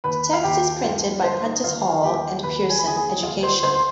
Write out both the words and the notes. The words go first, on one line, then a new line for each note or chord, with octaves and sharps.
The text is printed by Prentice Hall and Pearson Education.
D#2 B4 B5
F5
D#2 G4 G5
G2 F4 F5
D3 C5
D#4 D#5
D#2 F4 F5
D#2 G4 G5
D#2 B4 B5
G#5
B5
D3 G#4 G#5
G#4 G#5
D2 F4 F5
C5 C6
D2 C5 C6
C6